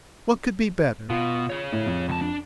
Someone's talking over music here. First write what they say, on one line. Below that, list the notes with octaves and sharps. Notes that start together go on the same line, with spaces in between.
What could be better?
B2 F4
G#4 C#5
A2
F2
C#2 A5
D4